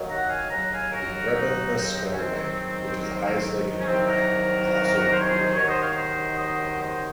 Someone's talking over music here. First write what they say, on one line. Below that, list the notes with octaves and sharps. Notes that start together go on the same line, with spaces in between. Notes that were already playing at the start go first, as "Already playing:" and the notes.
The Brebeneskul Lake, which is the highest lake in Ukraine, is also located here.
Already playing: D#2 D#3 F#3
F#5 A#5
F5 G#5
D#2 C#3 F#3 F#5 A#5
F5 G#5
F#4 A#4
D#4 F#4
C4 D#4
C4 D#4
C4
C#4
G#2 D#3 F#3 C4
A#3
C4
A#3
C4
C#4
C2 C3 D#3 F#3 C4
F#4 A#4
C5
C#5
G#4 C5
D#2 D#3 F#3 A#4 C#5
C5 D#5
C#5 F5
C5 D#5
C5 D#5
C5 D#5